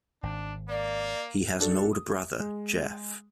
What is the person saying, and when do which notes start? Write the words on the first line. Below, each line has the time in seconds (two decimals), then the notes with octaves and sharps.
He has an older brother, Jeff.
0.23 G#1 D4
0.69 A#3 D5
1.61 D4 F#4 A4
1.93 D#6
2.40 G#3